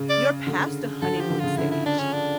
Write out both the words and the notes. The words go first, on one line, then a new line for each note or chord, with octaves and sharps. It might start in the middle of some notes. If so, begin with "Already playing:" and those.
you're past the honeymoon stage.
Already playing: C#3
D5
D3
D3 A4
F3 G4
D3
C#3 F4
D3 E4
E4
D4
C#4
D4